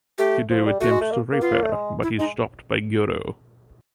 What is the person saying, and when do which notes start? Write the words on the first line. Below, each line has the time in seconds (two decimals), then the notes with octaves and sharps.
Kido attempts to rape her but is stopped by Goro.
0.18 A3 G4
0.50 F3
0.66 G3
0.80 A3 F#4
0.91 G#3
1.01 A3
1.11 A#3
1.32 A#3
1.41 B3 F4
1.52 A#3
1.62 A3
1.72 G#3
2.03 E4
2.19 G#3 D#4